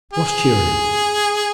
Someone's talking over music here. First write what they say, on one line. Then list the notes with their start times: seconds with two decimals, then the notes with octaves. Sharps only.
What's cheerin' him?
0.13 G#4